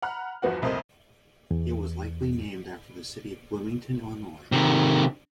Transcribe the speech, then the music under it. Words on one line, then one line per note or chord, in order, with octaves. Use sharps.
It was likely named after the city of Bloomington, Illinois.
F#5 A#5 B5 F6 F#6
G1 E2 F3 B3 F#4 F#5
F1 C2 F2 A#3 C5 D#5
E2
C3 D#3